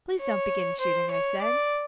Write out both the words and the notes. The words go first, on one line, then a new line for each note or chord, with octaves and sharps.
'Please don't begin shooting,' I said.
C#5
C5
C#5
D5